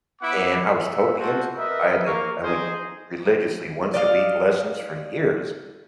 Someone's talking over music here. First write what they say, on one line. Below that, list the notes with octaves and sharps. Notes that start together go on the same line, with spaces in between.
and I was totally into it, I had to I went r r religiously once a week, lessons for years
B3 E4 F#5 D6
E5
F4 F#4 A4 C5
A#4 B4 D#5 E5
A#3 A#4 F5 C#6
D#4 G#4 C5 D#5
D5 D#5 F5